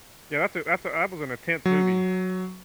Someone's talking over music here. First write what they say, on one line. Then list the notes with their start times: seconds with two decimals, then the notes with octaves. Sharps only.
Yeah. That's a that's a that was an intense movie.
1.65 F#3